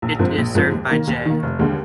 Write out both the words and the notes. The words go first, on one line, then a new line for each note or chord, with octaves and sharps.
It is served by J.
A#1
G#2 F3 C4
A#1
G#2 F3 C4
D#2
D#3 A#3
D#2
D#3 A#3
F1
D#2 D3 G#3